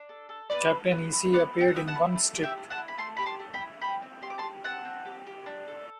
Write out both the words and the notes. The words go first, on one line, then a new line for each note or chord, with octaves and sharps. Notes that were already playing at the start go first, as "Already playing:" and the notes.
Captain Easy appeared in one strip.
Already playing: D4
A4
A4
B3 B4 D5
A4
B3
E4
B3 D5 F#5
A4
G5
F#5
B3 E5 G5
F#5 A5
E4
A3
G4
E5 G5
A3
F#5 A5
E4
B5
A3 A5 C6
G4 B5
A5 C6
A3
G5 B5
E4
C4 G5 B5
C4
G4 C6
D6
A5 C6
G4
C4 F#5 A5
C4
G4
G4
D4
A4